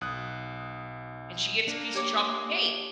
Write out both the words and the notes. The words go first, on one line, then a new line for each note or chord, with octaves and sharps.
and she gets a piece of chocolate cake.
B1 D#6 F#6
A#3 D4
G4 C#5 D6